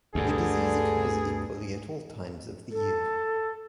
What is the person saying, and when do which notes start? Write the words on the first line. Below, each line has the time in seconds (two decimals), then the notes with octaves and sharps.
The disease occurs equally at all times of the year.
0.15 D2 G2 D3 G#4
2.71 A4